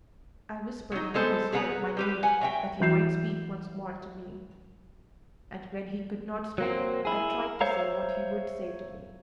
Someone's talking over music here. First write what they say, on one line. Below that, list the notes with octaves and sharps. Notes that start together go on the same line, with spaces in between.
I whispered into his ear my name, that he might speak once more to me; and when he could not speak, I tried to say what he would say to me.
F#3 D#4
G#3 B3 A4 C5
B3 G#4 B4 F#5 A5 A#5
G3 G4 B4
B4 F#5 G#5
F#3 E5 G5
E3 F#3 G6 C7 E7
F#3 A#3 C4
E4 G#4
C5 C#5 E5 F5 A#5